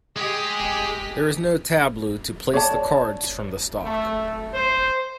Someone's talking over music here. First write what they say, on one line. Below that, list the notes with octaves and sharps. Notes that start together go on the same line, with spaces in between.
There is no tableau to place the cards from the stock.
G#3 G4 G#4 D#5 B6
C#5 D5 A5
A3
C5